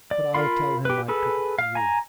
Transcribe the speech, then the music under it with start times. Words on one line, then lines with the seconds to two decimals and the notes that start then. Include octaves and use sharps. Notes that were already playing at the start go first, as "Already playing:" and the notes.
But I'll tell him I took it for you.'
0.11 D5
0.34 F4 A#4 F5 B5 C6
0.85 G4 B4
1.08 G#4 A4 B4
1.59 F5
1.75 G#5 A#5